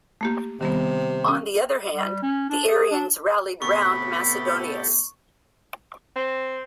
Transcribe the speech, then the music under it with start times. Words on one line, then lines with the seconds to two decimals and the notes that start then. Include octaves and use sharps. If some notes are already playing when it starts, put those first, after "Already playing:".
On the other hand, the Arians rallied round Macedonius.
0.21 A3 A#3 G4
0.61 C3 D#3 G3 B3
1.28 C#4
1.94 G3
2.22 C#4
2.50 D4
2.69 G#4
2.91 D4
3.62 A2 C3 B3 G4 A4 B5 C#6
6.16 C4